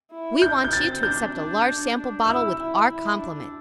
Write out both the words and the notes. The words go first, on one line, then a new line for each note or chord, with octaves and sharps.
We want you to accept a large sample bottle with our compliments.
E4
D4 G6
G6
C4 A6
D4 G6
D4
D4
D4
E4 E6
E4
E4
D4